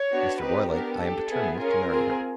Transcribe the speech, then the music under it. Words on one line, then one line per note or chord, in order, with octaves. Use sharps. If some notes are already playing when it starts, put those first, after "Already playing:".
Mr. Roylake, I am determined to marry her.
Already playing: C#5
B3 D4 F#4
C4 D#4 G4 B4
B3 D4 G4 A#4
D4 G4 A4
B3 E4 G#4
C#4 F4 G#4 A#4
C4 F4 G#4